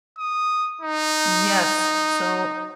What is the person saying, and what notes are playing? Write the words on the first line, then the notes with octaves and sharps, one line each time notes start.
Yes. So,
D#6
D#4